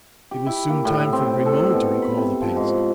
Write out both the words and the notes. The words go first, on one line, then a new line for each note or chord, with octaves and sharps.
It was soon time for Grimaud to recall the past.
G4
E4
A#3
A2
C4
A4
B2
B5
C3
F3
G#2